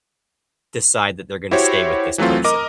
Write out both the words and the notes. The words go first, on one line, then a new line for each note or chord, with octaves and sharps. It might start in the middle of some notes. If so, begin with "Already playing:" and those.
decide that they're gonna stay with this person.
E4 F#4 G4 C5 C#5
E3 F#3 A3 C4 F4
A#4 D#5 A#5 D6